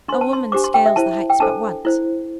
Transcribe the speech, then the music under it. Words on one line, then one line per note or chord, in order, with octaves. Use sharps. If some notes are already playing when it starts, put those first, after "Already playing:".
A woman scales the heights but once.
D4 C5 C6
A5
C6
D4 G4 C5 D6
C6
G5
E5
E4 C5 A5
G5
D4 A4 C5 A5
E4 C5